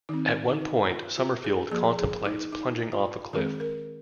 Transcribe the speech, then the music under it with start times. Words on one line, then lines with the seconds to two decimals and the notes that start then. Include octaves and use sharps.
At one point Summerfield contemplates plunging off a cliff.
0.09 D#3 C4 D#4
0.49 D#4
0.90 F4
1.18 F4
1.44 G#4
1.71 F3 A#3 G#4
1.98 G#4
2.26 D#4
2.53 D#4
2.92 F4
3.33 D#3 G#3 C4 G#4
3.60 A#4